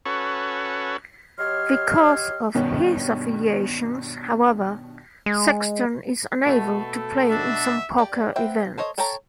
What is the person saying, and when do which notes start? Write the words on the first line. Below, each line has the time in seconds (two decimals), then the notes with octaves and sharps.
Because of his affiliations, however, Sexton is unable to play in some poker events.
0.06 C#4 F#4 A4 B4 C#5
1.39 F#3 G4 C#5 D#5 C6 F6
2.54 G2 B2 D#3 B3 C#4
5.26 G#3
6.46 B2 A3 A4
7.30 D4 E5
7.98 G4 D5
8.36 B3 C4 E5 G5
8.78 A4 C5 C#5 D#5
8.98 A4 C#5 G5 A5 A#5